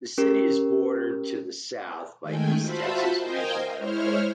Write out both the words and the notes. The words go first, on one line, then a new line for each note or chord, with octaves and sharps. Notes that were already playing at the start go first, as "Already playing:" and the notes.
The city is bordered to the south by East Texas Regional Airport.
C#4 G4 A#4
D#3 G#3 A3 G5 G#5
F4 F#4 C5 E5 A5 B5
A#4 C5 D#5 F5 G5 G#5
G#3 E4 C5 C#5 F6